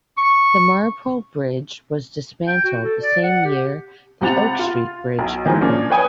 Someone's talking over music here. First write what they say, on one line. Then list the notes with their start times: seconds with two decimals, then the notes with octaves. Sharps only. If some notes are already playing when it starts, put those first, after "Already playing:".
The Marpole Bridge was dismantled the same year the Oak Street Bridge opened.
0.18 C#6
2.47 G5
2.64 F#4
2.84 A4
3.01 D5
3.23 F#5
3.44 G4
4.21 C#2 C3 C4 F#5 A6 F7
4.59 F4
5.19 B1
5.46 D#3 E3 F#3 G#3
5.61 F3 A#3 C#4 D4
5.90 B4 C#5 G5 G#5 D#6